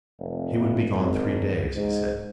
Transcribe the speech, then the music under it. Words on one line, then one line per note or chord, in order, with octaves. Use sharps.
He would be gone three days, he said.
F1
G#1
G#2